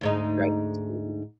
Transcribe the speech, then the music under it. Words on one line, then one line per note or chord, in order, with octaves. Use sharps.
right, tea
D2 G#2 D#4